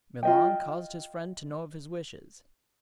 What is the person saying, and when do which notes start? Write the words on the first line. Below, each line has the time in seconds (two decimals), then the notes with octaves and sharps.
Milon caused his friend to know of his wishes.
0.23 F4 D#5 G5